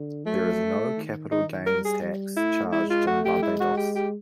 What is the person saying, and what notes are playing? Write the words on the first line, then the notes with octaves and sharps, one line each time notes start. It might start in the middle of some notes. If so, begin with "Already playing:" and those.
There is no capital gains tax charged in Barbados.
Already playing: D3
F#3 A3
D#3
D#3 D#4
G3 A#4
G#4
G3
A3 E4
G#3 E4
F4
A3 F#4
G4
G#3 E4
F#4
G4
G4